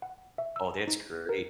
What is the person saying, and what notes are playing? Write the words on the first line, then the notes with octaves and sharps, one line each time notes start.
Oh, that's great.
F#5
E5
E6
D#4
A#4